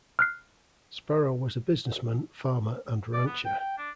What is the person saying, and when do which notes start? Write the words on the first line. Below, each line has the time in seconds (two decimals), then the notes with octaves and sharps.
Sparrow was a businessman, farmer and rancher.
0.19 F6 F#6 C7
3.13 D5
3.26 B3
3.45 G5
3.59 G5
3.78 D4